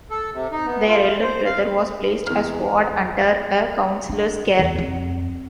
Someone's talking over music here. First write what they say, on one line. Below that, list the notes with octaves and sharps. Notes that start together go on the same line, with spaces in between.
Their elder brother was placed as ward under a Councillor's care.
A4
C3
D#4
B3
F4
C5
F5
E2 F6
D4
E2
F2